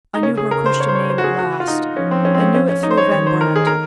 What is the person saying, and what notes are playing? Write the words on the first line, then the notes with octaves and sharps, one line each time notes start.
I knew her Christian name at last, and knew it through Van Brandt.
D#4
C#3 C#4
G#4
A#4
C5
C#5
C5
C#5
C5
F#4
G#4
F#4
F4
D#4
F3 C#4
C4
C#4
C4
C#4
C#4
C#4
D#4
C5
C#5
D#3 C#5
C5
A#4
G#4
A#4